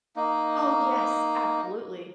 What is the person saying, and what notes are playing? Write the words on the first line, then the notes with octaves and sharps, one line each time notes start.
Oh, yes, absolutely.
A#3 D#4